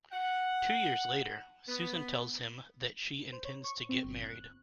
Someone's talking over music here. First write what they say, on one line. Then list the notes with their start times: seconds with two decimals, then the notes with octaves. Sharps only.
Two years later, Susan tells him that she intends to get married.
0.12 F#5
1.68 B3
3.32 C5
3.45 C#5
3.64 C#6
3.89 C4
4.04 G1
4.24 F#6